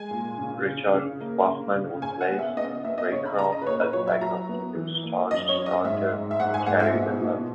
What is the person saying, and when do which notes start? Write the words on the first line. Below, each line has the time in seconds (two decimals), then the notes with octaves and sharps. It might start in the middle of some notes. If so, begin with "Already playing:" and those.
Richard Bachman replaced Raycroft as backup to the Stars starter Kari Lehtonen.
Already playing: G#3 G#5
0.11 A#2
0.38 C#3
0.66 C#3
0.94 C#3
1.21 A#3
1.47 C#3
1.75 C#3
2.02 C#3 G#5
2.21 F#5
2.30 B3
2.39 E5
2.57 B3 D#5
2.84 B3 E5
2.98 D#5
3.12 C#3 C#5
3.26 B5
3.38 C#3 A#5
3.52 D#5
3.62 B4
3.67 A#2 C#5
3.80 B4
3.93 F#3 C#5
4.07 E5
4.20 F#3 A#5
4.49 B3
4.75 E3
5.03 A#3
5.31 F#2 D#5
5.49 C#5
5.58 F#2
5.66 D#5
5.85 G#2 E5
6.12 G#2
6.31 E5
6.40 G#2 F#5
6.54 G#5
6.66 G#2 F#5
6.80 E5
6.94 B2
7.22 B2